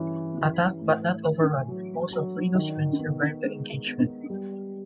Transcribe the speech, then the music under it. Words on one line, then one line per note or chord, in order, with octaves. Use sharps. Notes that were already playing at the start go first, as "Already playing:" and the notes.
Attacked but not overrun, most of Reno's men survived the engagement.
Already playing: G2 E3 C#4
E3
A2
A2
F#3
F#3
D#3
B3
G#3
B3
G3